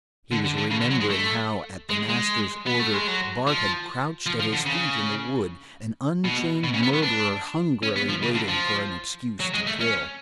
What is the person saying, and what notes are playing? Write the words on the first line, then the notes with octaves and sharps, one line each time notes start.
He was remembering how, at the master's order, Bart had crouched at his feet in the wood, an unchained murderer hungrily waiting for an excuse to kill.
D3
D3
D3
C#3
D3
F#3
G#3
A3
G#3
G#3
B3
A3
G#3
F#3
F3
F3
F3
D3
C#3
B2
B2
C#3
B3
B3
D4
C#4
B3
F3
C#3
D3
F3
F#3
G#3
A3
C#4